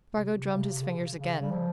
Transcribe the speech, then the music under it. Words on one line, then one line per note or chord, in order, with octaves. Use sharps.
Spargo drummed his fingers again.
C3
C3
C#3
C3
C3
C#3
C#3
G3
F3